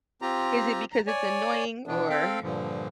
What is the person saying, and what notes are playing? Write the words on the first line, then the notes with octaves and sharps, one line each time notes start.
Is it because it's annoying or
C4 F4 G4 A#5
A#5
C#5 D5 G#5
B2 E3 B3 D4
C4 A4 F5 G5
G2 A#2 D3 F3